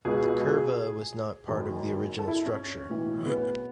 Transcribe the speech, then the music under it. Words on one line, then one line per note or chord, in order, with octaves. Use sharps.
The curva was not part of the original structure.
C#2 B2 G#4
G#4
F#1 F#2 D#3
A4
E4
C#4
B1 A2 E3
B3